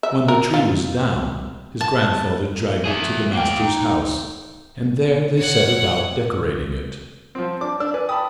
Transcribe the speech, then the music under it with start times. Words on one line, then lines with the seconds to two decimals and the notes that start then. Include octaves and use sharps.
When the tree was down, his grandfather dragged it to the master's house, and there they set about decorating it.
0.03 E5
0.28 A#4
0.54 F4
1.81 A5
2.85 G#4 E5
3.33 A#3 G5
3.62 D#4
5.36 C#5 F#5
7.35 F3 C4
7.61 D4 D6
7.80 D4 E6
7.94 B4 G#5
8.09 G4 A5 B5 D#6